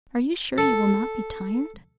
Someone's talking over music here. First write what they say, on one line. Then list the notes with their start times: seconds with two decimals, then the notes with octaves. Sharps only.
Are you sure you will not be tired?'
0.58 A4